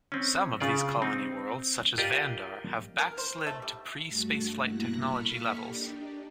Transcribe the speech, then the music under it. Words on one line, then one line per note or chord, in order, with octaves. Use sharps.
Some of these colony worlds, such as Vandar, have backslid to pre-spaceflight technology levels.
C4 C#4
C#3 F4 D5
C4 D#4
F4 G4 A#4 D5 D#5
A#4
C5
A3
G3
G2 A3 F#4
G2 B2 A#3 E4 F#6 A#6
A#3 A4 B5 C#6 F6 B6
D4 D#4 G4